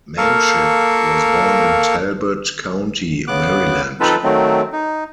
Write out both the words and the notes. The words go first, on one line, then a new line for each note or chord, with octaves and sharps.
Manship was born in Talbot County, Maryland.
A#3 A4 A#4 F5 C#6
C#3 B3 D6 F#6
F3 C4 D#4 F4 A4 B4
D#3 F#3 A3 C4
D#4